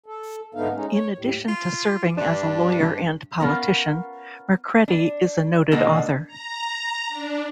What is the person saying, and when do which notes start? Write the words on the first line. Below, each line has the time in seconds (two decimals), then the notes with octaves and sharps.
In addition to serving as a lawyer and politician, Mercredi is a noted author.
0.06 A4
0.55 G#2 D3 A3 B3 D#4 F5
0.74 G#3 C#4 D#4
0.92 C#5
1.18 D#2 A2 G3
1.48 F4
2.17 G2 D4
3.40 B3 C#4 F4 A#4
4.88 D4
5.71 B2 D3 G#3 A#3 D4
6.27 A#5
7.09 D4